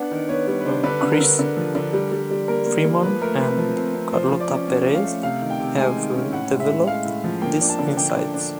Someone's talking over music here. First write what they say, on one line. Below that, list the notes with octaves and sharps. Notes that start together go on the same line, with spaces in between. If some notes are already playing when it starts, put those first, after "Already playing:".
Chris Freeman and Carlota Perez have developed these insights.
Already playing: B3 D4 F#5
D#3
B3 C#5
G3 C#5
B4
D4 C5
D3 B4
D3
A#4
D3
D3
F3
D3
G3
G3
G3
A#3 A#4
A#3
A#3
F3 B4
A3 A#4
C4 B4
F3
C4
C4
F3 C5
F3
D5
C#4
C#4
A3
F5
A3
C3 F5
D#3
G5
C3
G#3 G#5
D#3
C#4
A2 F#5
G#3
E5
A2
G#3 F5
A2
F3
A#3 G5
D4
A5
D3
D4 G5
D3
D4